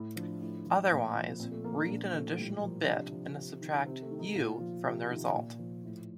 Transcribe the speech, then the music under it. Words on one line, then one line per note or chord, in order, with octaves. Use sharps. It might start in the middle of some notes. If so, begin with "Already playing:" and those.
Otherwise, read an additional bit and subtract "u" from the result.
Already playing: A2
F3 D4
A2
F3
A#2
F3
A#2 C4
A3
F3 A#3
D4
A#2 D4
F3 A3
A2 G3
F3 A#3
C3 D4
F3
C3
D#3
C3 C4
A3
D#3
D#4
A#2 F4
F3
C3 F4
D#3
A#2
F3
A2